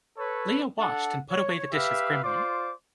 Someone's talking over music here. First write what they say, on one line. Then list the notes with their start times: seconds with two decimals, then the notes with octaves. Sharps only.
Lia washed and put away the dishes grimly.
0.17 A4 B4 C#5
0.78 D4 A4 F#5 A5
1.31 C#5
1.72 G4 B4 E5 F5
2.23 F4 C5 D5 D6